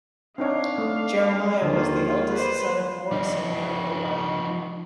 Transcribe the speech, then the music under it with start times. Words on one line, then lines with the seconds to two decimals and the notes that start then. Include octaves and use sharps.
Jeremiah was the eldest son of Morris and Mary O'Brien.
0.38 C4 D4 D#4 C#5 F5
0.78 A3
1.62 D#2 D3 D#3 F3 A#3 F4
2.31 B4 C5
3.12 F3 D#4